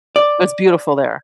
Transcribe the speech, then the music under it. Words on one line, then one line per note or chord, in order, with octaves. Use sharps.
It's beautiful there.
D5